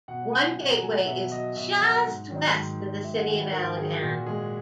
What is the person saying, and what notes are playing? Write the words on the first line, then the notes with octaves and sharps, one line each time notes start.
One gateway is just west of the city of Allegan.
B2 F#5
F#3 G#5
B2 F#5
A#5
F#3 G#5
F#5
B2 E5
F#3 D#5
B2 E5
F#3 F#5
G#2
D#3 F#3
G#2
D#3 F#3
G#2 E5
F#5
D#3 F#3 G#5
B4
G#2 A#4
D#3 F#3 G#4
A#2 F#4
G#3 G#4